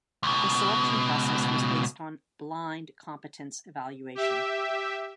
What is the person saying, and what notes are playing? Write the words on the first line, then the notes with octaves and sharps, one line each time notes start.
The selection process was based on "blind" competence evaluation.
C#2 B2
G4 E5